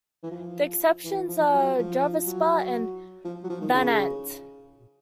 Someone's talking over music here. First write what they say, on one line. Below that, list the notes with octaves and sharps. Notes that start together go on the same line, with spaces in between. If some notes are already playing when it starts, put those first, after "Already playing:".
The exceptions are Drvaspa and Vanant.
E3
F3
E3
F3
F#3
F3
F#3
F3
F#3
F3
D#3
C#3